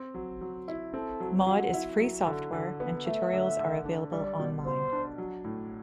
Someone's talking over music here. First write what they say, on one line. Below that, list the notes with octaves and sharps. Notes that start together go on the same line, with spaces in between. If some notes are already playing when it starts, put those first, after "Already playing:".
Maude is free software, and tutorials are available online.
Already playing: C4
F#3
F#3
E4
C4 A4
F#3
F#3 F#5
E4
F#3
D3
D3
B3
A3 E5
D3
D3
D4
G3 D5
B2
B2 C5
D4
F#3
A2